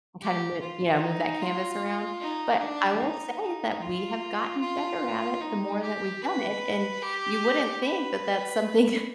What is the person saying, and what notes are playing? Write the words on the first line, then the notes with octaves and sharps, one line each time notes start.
and kinda mo Yeah, move that canvas around. But I will say that we have gotten better at it the more that we've done it, and you wouldn't think that that's something
G4
F4
D#4
F4
D#4
D4
D#4
D#4
F4
F4
D#4
G4
B4
G4
B4